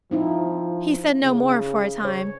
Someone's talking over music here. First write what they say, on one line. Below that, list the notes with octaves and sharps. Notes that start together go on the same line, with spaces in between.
He said no more for a time.
F3 C4 D#4 E4
C#3
C#5